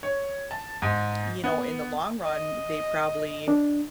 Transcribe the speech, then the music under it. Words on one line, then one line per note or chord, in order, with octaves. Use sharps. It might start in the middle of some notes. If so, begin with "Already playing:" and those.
you know, in the long run, they probably
C#5
A5
G#2
B3
D#5
D4